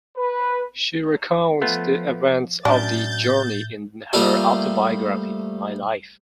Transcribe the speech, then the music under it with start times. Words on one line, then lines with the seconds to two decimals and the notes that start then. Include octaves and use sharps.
She recounts the events of the journey in her autobiography, "My Life".
0.17 B4
1.62 F3 A3 B3 F4
2.65 F#2 A2 D4 G6 A6
4.13 F3 G3 A3 A#3 F4 A4